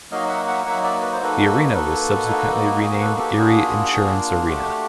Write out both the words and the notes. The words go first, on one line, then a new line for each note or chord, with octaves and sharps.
The arena was subsequently renamed Erie Insurance Arena.
F#3 A#3 D#4 F#4 D#5 F5
E5 F#5
E5 F#5
F#3 A#3 D#4 F#4 E5 F#5
D5 E5
B4
C5
A#3 D#4 F#4 A4 B4
A#3 D#4 F#4 A4 B4
A#3 D#4 F#4
A#3 D#4 F#4 G#4 A#4
A#4
A4 B4
G4 A4
A#3 D4 F4 F#4 G#4
A#3 D4 F4
A3 D4 F#4 G4